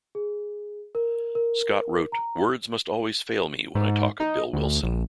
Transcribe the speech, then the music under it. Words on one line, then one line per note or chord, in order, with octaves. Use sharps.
Scott wrote Words must always fail me when I talk of Bill Wilson.
G#4
A#4
A#4
A#5
G#2
D#4
D2
A#1